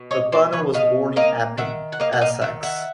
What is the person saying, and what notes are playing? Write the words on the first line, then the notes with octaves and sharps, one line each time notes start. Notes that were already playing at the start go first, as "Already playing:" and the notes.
Pappano was born in Epping, Essex.
Already playing: B2
C#5 D#5
B2 C5 D5
B4 C#5
B2 D#5 F5
A#3 D#5 F5
D#3 E5 F#5
F#5
A#3 D#5 F5
F#5
D#5 F5
D#3 E5 F#5
E5 F#5